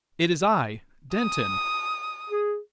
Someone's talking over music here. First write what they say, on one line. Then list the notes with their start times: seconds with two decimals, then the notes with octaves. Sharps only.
It is I--Denton.
1.15 D#6
2.30 G#4